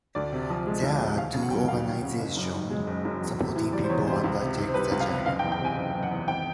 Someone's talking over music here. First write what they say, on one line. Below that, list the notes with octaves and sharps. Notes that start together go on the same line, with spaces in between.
There are two organisations supporting people undertaking the journey.
D2 D5
C3
F3
G#3
D2
C3
D#2 F5
C#3
F#5
F#3 G5
F#5
D#2 F5
D#2
C#3
F#1
F#2
D#3
G#3
F#1
F#2
E2
C3
E3
G3 D5
C5
E2 C#5
C3 C5
C#2
C3
D#3
C5
G3 B4
C#2
F5
C3
F#1 F5
G5
E2
G5
C3 G#5
F#1
F#1
F#5
E2
G#1 G5